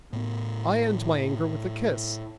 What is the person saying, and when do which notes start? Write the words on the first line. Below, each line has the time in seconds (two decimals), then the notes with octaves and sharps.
I end my anger with a kiss.
0.13 A2 B3